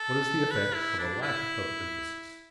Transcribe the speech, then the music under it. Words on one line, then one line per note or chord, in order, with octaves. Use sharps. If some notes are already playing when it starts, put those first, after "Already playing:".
What is the effect of a lack of emphasis?
Already playing: A4
B4
E4
D4
E4